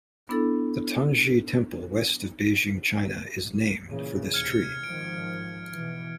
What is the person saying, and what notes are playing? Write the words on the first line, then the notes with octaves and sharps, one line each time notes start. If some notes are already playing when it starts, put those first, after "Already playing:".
The Tanzhe Temple west of Beijing, China is named for this tree.
B3 D4 E4 A4
A#2 C#3 E3
D#2 C3 F6 G#6 C#7
G#1 D#3 F3 D7
B2 E3